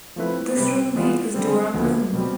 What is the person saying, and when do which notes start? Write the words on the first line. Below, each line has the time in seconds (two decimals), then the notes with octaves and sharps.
This roommate was Dora Bloom.
0.16 F3 A3 C4 E4 B4
0.56 C3 G3 C4 G4 B4
0.95 E3 B3 F4
1.34 D3 G3 C4
1.74 D2 D3 F3 B3
2.13 B2 G3 C4 G4